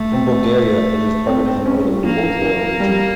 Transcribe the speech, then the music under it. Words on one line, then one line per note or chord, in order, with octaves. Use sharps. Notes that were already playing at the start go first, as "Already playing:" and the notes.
In Bulgaria it is part of the "Northern folklore region".
Already playing: A3
C4
C4
C4
C#4
G3
F3 A#3
E3
E3
G3